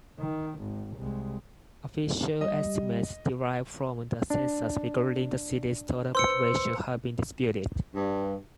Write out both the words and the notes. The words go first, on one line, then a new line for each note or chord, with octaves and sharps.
Official estimates derived from the census regarding the city's total population have been disputed.
D#3
G#1
C2 G#3
G3 D#5
D4
B4 C5 C6 E6 C#7
G2